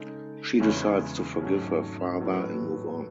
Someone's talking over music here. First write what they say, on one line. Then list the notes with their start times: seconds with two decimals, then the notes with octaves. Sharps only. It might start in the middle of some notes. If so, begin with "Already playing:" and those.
She decides to forgive her father and move on.
Already playing: C#3 G#3 D#4 A4
0.60 E2 C#3 G#3 C#4 E4
1.40 G#1 G#2 F#3 A3 C#4
2.20 A1 A2 F#3 B3